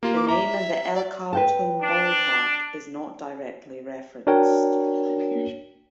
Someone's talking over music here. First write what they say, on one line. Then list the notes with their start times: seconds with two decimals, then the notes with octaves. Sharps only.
The name of the Elkhart home ballpark is not directly referenced.
0.03 A#3 F4 G4
0.16 D6
0.29 E5 A#5
0.95 D5
1.33 B4 G5 A5
1.82 D4
4.27 D4 F#4 A#4 C#5 G5